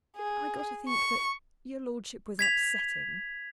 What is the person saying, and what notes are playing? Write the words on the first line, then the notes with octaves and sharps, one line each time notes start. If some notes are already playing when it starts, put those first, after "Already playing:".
I got to think that your Lordship was upsetting.
G#4
C#6
G#6 B6 F7